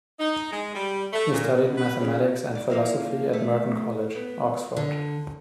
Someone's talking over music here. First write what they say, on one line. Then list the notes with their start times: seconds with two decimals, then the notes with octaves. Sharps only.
He studied mathematics and philosophy at Merton College, Oxford.
0.20 D#4
0.52 G#3
0.74 G3
1.13 A3
1.32 A#2
1.55 B2
1.77 B4
1.99 C#3
2.55 D5
2.70 F3 A#3 E4
3.33 A3
4.15 B3
4.76 D3